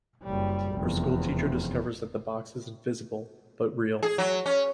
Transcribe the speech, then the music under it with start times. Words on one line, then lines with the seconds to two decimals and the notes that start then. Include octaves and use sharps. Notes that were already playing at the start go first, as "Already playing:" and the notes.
Her school teacher discovers that the box is invisible, but real.
0.23 F#1 G3
0.73 F1 E2
4.03 G#4
4.18 F#3
4.46 C#4